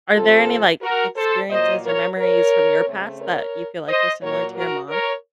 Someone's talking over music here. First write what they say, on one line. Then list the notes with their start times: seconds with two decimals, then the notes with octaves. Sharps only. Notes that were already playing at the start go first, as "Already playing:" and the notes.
Are there any, like, experiences or memories from your past that you feel like were similar to your mom's?
0.14 C3 F3 C4 F4 A4
0.82 F#4 A#4
1.15 A4 C5
1.49 A#2 F#3 A#3 C5 D#5
1.83 A#4 C#5
2.18 A#4 C#5
2.86 C#3 A3 C4
3.19 A#4 C#5
3.87 C5 D#5
4.21 A#2 F#3 A#3 A#4 C#5
4.55 F#4 A#4
4.89 A#4 C#5